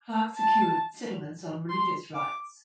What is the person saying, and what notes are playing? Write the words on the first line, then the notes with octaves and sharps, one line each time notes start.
Clarke secured settlements on religious rights.
A5
C6
D6